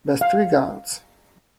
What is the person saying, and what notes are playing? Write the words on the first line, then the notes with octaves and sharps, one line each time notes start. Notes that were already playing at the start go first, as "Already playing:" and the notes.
Best regards.
F5